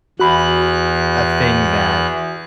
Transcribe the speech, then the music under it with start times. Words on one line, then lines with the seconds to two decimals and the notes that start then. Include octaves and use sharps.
a thing that
0.20 E2 F#4 B5 F#6